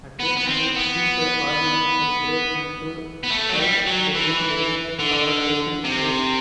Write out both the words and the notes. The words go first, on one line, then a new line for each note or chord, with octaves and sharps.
Occasionally heated arguments would break into fights between religious or ethnic groups.
B3
B3
C4
B3
B3
A3
F#3
G3
F#3
E3
D3
C3